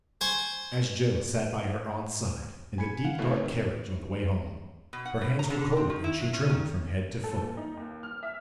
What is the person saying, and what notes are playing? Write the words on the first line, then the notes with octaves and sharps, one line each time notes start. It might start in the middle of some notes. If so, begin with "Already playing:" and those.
As Joe sat by her aunt's side in the deep dark carriage on the way home, her hands were cold and she trembled from head to foot.
C5 G#5 C#6
G#5 B5 G#6 C#7
F5 F#5
A2 C#3 E3 A3 B3
D#3 C4
B2
F#5
B2
A#5
D3
C4
D#3
E4
F#3
C#4
D#3
A4
A#2
D#4
D#2
F6
E5